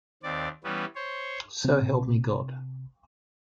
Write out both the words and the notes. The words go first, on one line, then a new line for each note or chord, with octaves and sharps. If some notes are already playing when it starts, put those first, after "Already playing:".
So help me God.
D#2 C4 D5
E3 G3 B3 C#4
C5 C#5
C3 C4